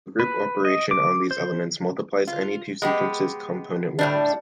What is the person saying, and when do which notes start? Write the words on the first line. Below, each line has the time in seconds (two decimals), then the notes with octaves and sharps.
The group operation on these elements multiplies any two sequences componentwise.
0.20 B4
0.65 D#5
0.91 D6
1.31 C5
2.27 F4
2.82 G#3 B3 G4
3.99 A2 G3 D4